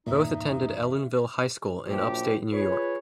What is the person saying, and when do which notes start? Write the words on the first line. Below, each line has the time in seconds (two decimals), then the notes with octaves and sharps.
Both attended Ellenville High School in upstate New York.
0.07 E2 G2 A#2 E3 D#4 E5
1.87 A#1 F#2 F3 F#3 G4
2.53 F4 G#4 B4 C#5